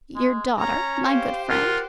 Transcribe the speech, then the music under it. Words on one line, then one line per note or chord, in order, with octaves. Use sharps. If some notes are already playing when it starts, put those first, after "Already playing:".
"Your daughter, my good friend?"
G#3
C#4 A#5
G4 C5 F5
F4 A#4 F#5